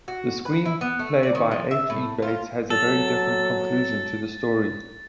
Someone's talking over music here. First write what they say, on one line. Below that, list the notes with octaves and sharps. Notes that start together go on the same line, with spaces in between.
The screenplay by H. E. Bates has a very different conclusion to the story.
F#4
B4
E4
B3
A3
D5
D#3
F3
E5
A2
F4
F#3 A4 A6